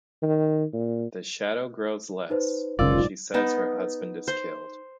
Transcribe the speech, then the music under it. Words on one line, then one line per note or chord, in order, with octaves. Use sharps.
If the shadow grows less, she says her husband is killed.
D#3
A#2
D#4 B4 C5
F1 B1 G#2 C#3 F4 A#4 D5 E6
B3 D#4 A5
C5